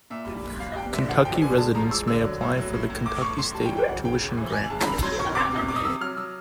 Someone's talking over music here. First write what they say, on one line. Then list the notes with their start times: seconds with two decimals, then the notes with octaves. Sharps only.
Kentucky residents may apply for the Kentucky State Tuition Grant.
0.10 A#2 E5
0.27 G3
0.43 A#2
0.59 A#2 F5
0.76 G3 G5
0.92 D3 E5
1.09 F3 F#5
1.25 F3 G5
1.42 D3 G#5
1.58 G#3 A5
1.75 F3 A#5
1.91 G#3 E6
2.07 D3 E6
2.24 F#3
2.41 A2
2.57 F#3
2.73 A2
2.90 A2
3.06 A2 D6
3.22 A2 C#6
3.38 A2 C6
3.55 G3 A5
3.65 G5
3.71 E3
3.77 G5
3.88 C#3 F#5
4.04 C#3 G5
4.21 C#3
4.37 E3
4.53 E3 G#5
4.70 C#3 A5
4.79 A#5
4.87 C3 B5
5.02 F#3 C6
5.19 D#3 C#6
5.35 C3 D6
5.52 C3
5.68 C3 D6
5.76 D#6
5.84 C3 E6
6.01 F#3 F6
6.17 F#3 E6